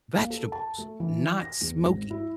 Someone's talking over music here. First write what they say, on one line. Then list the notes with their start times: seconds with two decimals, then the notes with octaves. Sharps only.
vegetables, not smoky.
0.18 A#3
0.30 A4
0.52 A5
0.78 A3
1.00 E3
1.41 A#6
1.61 E2
1.87 G#1
2.10 E4